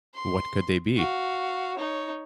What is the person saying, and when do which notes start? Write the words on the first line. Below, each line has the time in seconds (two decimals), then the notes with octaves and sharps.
What could they be?
0.15 C6
0.96 F#4 F5
1.77 D#4 C#5